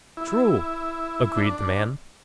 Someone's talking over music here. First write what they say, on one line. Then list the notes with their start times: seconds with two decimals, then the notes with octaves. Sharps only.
"True," agreed the man.
0.17 E4
1.37 D4